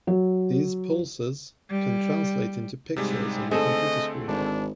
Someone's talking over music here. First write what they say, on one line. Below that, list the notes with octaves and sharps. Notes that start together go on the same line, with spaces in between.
These pulses can translate into "pixels" on the computer screen.
F#3
G3
G#2 C3 G3 G#3
D3 A3 C4 G#4 A4 D#5
G#1 D4